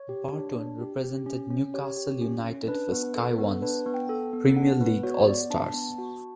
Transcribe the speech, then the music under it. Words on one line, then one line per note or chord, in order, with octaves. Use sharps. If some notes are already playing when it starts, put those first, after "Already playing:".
Barton represented Newcastle United for Sky One's "Premier League All Stars".
Already playing: C#5
G4
D4
D4
G4
G4
C#4
C#4
G4 C#5
G4
C#4
C#4
D4 B4
B3
A4
B3
D4 B4
B3
G5
A4
B3
D4 F#5
B3 B4
F#4 C#5
B3 D5
D4 A5
B3
F#4